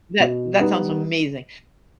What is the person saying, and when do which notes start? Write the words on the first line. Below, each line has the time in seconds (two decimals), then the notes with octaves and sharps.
That that sounds amazing.
0.20 B2
0.60 G3 B3 D#4